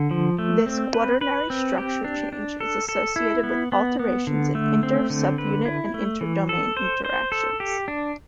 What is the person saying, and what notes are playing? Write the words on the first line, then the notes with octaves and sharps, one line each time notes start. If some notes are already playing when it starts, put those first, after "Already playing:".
This quaternary structure change is associated with alterations in inter-subunit and inter-domain interactions.
Already playing: D3
F3
A3
C4
B4
B4
C4
G4
D4
D4
A4
A4
E4
B3
B3
B3
D3
A3
C4
D3
B4
E4
A3
E3
A4
C5
C5
A4
G4
D4